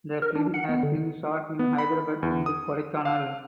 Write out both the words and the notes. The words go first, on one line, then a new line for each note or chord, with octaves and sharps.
The film has been shot in Hyderabad and Kodaikanal.
A#4
D4
F#5
B3
D3
B3
B5
E2
D#6
F5